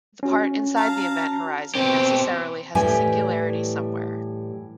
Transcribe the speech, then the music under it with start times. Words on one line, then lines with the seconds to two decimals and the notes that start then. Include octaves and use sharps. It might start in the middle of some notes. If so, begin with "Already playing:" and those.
The part inside the event horizon necessarily has a singularity somewhere.
0.23 C#4 F#4
0.76 F5 A5 A#5
1.75 B2 C4 G4
2.75 A2 E3 G3 G4 E5 G#5